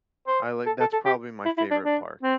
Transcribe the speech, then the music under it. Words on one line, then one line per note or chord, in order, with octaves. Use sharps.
I like that's probably my favorite park,
C5
A4
A4
A4
G4
E4
E4
D4
D4
C4